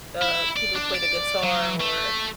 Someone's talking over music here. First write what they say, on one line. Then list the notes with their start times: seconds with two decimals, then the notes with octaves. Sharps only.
uh, people play the guitar or
0.22 E4
0.57 D5
0.75 D4
0.94 D5
1.43 F#3
1.81 A3